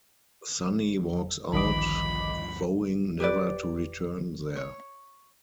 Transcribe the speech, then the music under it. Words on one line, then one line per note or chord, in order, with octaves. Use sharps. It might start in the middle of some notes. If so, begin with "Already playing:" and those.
Sonny walks out, vowing never to return there.
A1 D2 G2 D#3 F3 D#5 B5 D6
G4 B4 D5
C#5